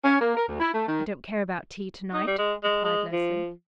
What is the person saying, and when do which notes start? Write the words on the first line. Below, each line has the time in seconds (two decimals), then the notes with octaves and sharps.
"I don't care about tea to-night," replied Leslie.
0.04 C#4
0.20 A#3
0.34 A#4
0.47 D2
0.59 E4
0.74 A3
0.86 D#3
2.13 D#4
2.27 G3
2.38 G#3
2.63 G#3
2.84 G#3
3.12 F3